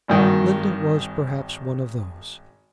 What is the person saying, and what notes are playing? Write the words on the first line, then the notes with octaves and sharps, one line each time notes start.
Linda was, perhaps, one of those.
G#1 G2 D#3 F#4